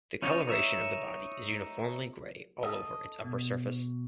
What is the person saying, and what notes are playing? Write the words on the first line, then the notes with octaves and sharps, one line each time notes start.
The coloration of the body is uniformly grey all over its upper surface.
C#4 D#4 F4 C#5 D#5
D#4 C#5 E5
A4 D#5
B2